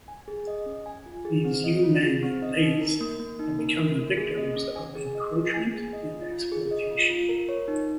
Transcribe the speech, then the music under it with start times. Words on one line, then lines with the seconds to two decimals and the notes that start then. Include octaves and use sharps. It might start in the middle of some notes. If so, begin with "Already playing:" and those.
These Umang Lais have become the victims of the encroachment and exploitation.
0.08 G#5
0.28 G#4
0.47 D#5
0.66 C#4
0.86 G#5
1.06 F4
1.25 G#4
1.45 C4
1.64 D#5
1.83 F4
2.03 G#4
2.23 C4
2.42 D#5
2.62 D#4
2.81 A#4
3.01 A#3
3.19 A#3
3.39 D#4
3.59 A#4
3.78 A#3
3.98 A#3
4.17 G#4
4.37 D#5
4.56 C#4
4.76 G#5
4.95 G#4
5.15 D#5
5.34 C#4
5.54 G#5
5.73 G#4
5.93 D#5
6.13 F4
6.32 F4
6.52 G#4
6.71 D#5
6.90 F4
7.10 F4
7.29 A#4
7.49 C#5
7.68 D#4